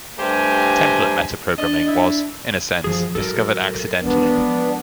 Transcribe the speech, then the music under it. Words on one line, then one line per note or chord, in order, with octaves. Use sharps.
Template metaprogramming was, in a sense, discovered accidentally.
G2 A3 G4 C5 G#5 A#5
D4 D#5
E4
F#2 F3 G#4
G#2 F#3 A4 A#4
E3 G#3 B3 D4
F3 G#3